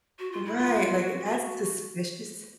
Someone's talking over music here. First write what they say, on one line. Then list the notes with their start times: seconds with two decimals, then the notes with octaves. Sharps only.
Right, like, that's suspicious?
0.19 F#4
0.32 F4
0.45 E4
0.57 F4
1.02 F#4